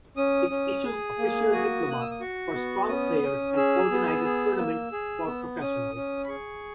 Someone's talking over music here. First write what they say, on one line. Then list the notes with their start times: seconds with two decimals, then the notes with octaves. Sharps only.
It issues official diplomas for strong players and organizes tournaments for professionals.
0.17 C#4 D#6
0.50 C#4
0.84 G#4
1.18 A#3
1.52 F#4 D#6
1.86 A#3
1.91 F#6
2.01 E6
2.11 D#6
2.21 F#4 C#6
2.54 B3
2.89 C#4 D#6
3.23 C#4
3.57 G#4 E6
3.91 B3
4.24 G#4
4.58 A#3
4.92 G#4
5.27 B3
5.61 C#4 D#6
5.95 C#4
6.25 B5
6.28 G#4 C#6